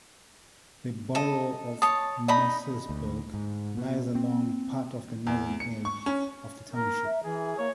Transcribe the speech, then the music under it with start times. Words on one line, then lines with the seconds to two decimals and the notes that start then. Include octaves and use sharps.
The borough of Mercersburg lies along part of the northern edge of the township.
1.15 A4 D#5
1.82 C#5 A5 D#6
2.28 D#4 D5 A5 B5 D#6
2.89 D2
3.34 G#2
3.77 B2
4.15 C4
5.27 E2
5.60 C#7
5.85 C#6
6.06 C#4
6.74 A#4
7.05 E5
7.24 E3 G#4
7.58 A#3 C#5